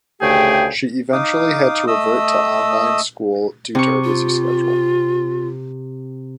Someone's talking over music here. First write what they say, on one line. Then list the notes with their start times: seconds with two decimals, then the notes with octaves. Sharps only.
She eventually had to revert to online school due to her busy schedule.
0.21 D2 C#3 A3 G4 G#4 G5
1.13 D#4 F5 D6 D#6
1.87 A3 D#5 D#6 E6
3.75 C3 C#6
4.04 F4